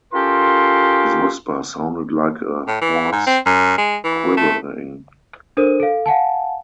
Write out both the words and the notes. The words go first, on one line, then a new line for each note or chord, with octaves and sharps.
His whisper sounded like a hoarse quivering.
C#4 F4 G4 A4 A#4 C6
A2
E3
G#2
C4
F#2
G#3
E3
A3
D4 A4 A#4 C5 D#6 D#7
A4 F5
F5 F#5 G#5 A5